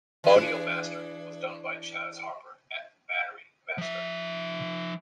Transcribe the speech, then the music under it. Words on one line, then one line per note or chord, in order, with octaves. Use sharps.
Audio mastering was done by Chaz Harper at Battery Mastering.
E3 D4 G#4
F3 E5